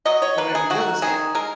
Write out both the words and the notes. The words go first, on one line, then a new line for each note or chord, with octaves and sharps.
or whenever the bill is due.
F#3 D#5
C#5
A#3 B4
G#4
D#3 F#4
D#3 G#4
G#3 A#4